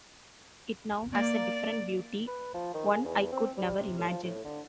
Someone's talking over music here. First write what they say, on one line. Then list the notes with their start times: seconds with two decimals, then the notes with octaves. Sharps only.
It now has a different beauty, one I could never imagine.
1.15 A#3 D5
2.27 B4
2.54 F3
2.74 D#3
2.91 G#4
3.05 E2
3.32 C4
3.57 G3
3.79 C3
3.99 A2
4.10 F3
4.24 A2
4.45 D3